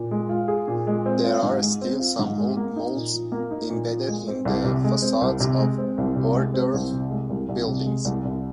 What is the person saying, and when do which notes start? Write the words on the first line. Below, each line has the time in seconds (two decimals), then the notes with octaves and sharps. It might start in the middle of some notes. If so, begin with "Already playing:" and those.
There are still some old molds embedded in the facades of Ohrdruf buildings.
Already playing: A#2
0.11 G#3
0.29 F4
0.48 G#4
0.68 A#2
0.87 G#3
1.06 C4
1.24 F4
1.43 G#2
1.62 G#3
1.81 C4
1.99 F4
2.19 G#2
2.38 G#3
2.57 A#3
2.76 D#4
2.94 A#2
3.14 F3
3.32 A#3
3.51 D#4
3.70 A#2
3.89 F3
4.08 G#3
4.28 C4
4.45 C2
4.64 C3
4.84 G#3
5.02 C4
5.21 C2
5.40 C3
5.59 G#3
5.78 C4
5.98 C2
6.16 C3
6.35 G#3
6.54 C4
6.74 C2
6.92 C3
7.10 G#3
7.30 C2
7.49 C2
7.67 C3
7.86 G#3
8.05 C2
8.25 C2